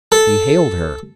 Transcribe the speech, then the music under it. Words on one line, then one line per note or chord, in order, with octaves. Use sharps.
He hailed her.
A4